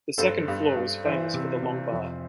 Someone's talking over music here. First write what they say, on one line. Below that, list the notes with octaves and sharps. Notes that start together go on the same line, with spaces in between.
The second-floor was famous for the Long Bar.
G2 A4 C5
G2
G2
E3 C5 E5
C3
C3
F2